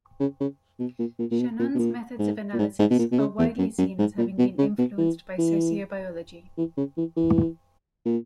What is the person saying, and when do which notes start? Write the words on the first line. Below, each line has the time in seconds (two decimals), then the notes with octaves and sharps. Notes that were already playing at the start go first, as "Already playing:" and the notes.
Chagnon's methods of analysis are widely seen as having been influenced by sociobiology.
0.20 C#3
0.40 C#3
0.80 B2
0.99 A#2
1.19 A#2
1.31 A#2
1.40 B2
1.59 A#2
1.75 B2
1.79 A#2
2.19 G#2
2.53 A#2
2.59 G#2
2.79 G#2
2.91 B2
2.99 A#2
3.12 B2
3.19 C#3
3.39 E2
3.58 F#2
3.78 F#2
3.99 G#2
4.18 A#2
4.39 B2
4.58 C#3
4.78 B2
4.98 E3
5.38 E3
6.58 E3
6.77 C#3
6.98 E3
7.17 E3
8.06 A#2